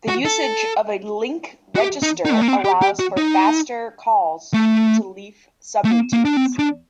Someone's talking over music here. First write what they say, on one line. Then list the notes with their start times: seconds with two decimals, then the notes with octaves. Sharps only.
The usage of a link register allows for faster calls to leaf subroutines.
0.08 F#4
0.25 A4
1.76 F#4
1.80 G4
2.02 D#4
2.25 D#4
2.33 A3
2.41 A#3
2.48 C4
2.65 G4
2.82 G4
2.99 F#4
3.17 D#4
4.54 A3
5.85 A3
5.91 A#3
6.13 A#3
6.25 D4
6.37 C4
6.59 D4